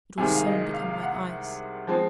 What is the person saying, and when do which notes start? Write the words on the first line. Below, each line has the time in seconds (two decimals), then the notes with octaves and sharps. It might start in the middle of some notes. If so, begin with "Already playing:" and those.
It will soon become like ice.
0.18 C2 C3 D#3 G#3 G#5
0.35 F5
0.46 D#5
0.74 F5
0.93 F5
1.02 F#5
1.87 F3 G#3 C4